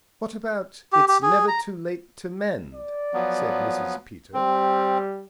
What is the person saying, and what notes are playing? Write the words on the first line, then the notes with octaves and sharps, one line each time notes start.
"What about 'It's never too late to mend?'" said Mrs. Peter.
G4
G4
G#4
A#5
D5
F3 F#3 B3
G3 C4